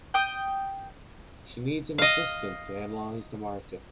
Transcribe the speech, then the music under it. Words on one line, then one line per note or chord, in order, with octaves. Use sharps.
She needs an assistant to analyze the market.
G5 D#6
D#5 F5